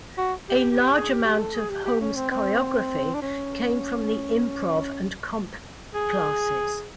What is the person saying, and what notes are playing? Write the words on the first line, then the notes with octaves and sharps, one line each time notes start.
A large amount of Holm's choreography came from the improv and comp classes.
F#4
G4
G4
G#4
G4
G4
A4
G#4
G4
G4
C#4
C4
C4
D4
C#4
G#4